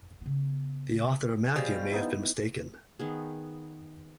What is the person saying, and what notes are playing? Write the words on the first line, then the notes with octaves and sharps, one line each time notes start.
The author of Matthew may have been mistaken.
C#3 B3
B2 F3 G3 G#4
B3 D#4 E4
D#3 B3 G#4